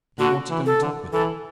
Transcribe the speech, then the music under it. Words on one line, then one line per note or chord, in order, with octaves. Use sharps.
"Do you want to go and talk with them?"
D3 F#4
E3
A4
D3
E3 A4